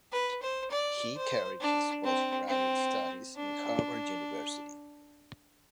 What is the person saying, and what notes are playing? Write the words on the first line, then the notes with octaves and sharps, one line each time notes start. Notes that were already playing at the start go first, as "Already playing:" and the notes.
He carried his post-graduate studies in Harvard University.
B4
C5
D5
C5
D4
C4
C4
D4